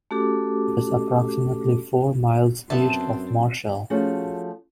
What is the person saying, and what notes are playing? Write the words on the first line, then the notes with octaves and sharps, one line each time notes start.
It is approximately four miles east of Marshall.
A3 C#4 F#4 G4 A4 D6
F#2 B3 C4 A4 E5 A5
F3 A3 C#4 F#4 G#4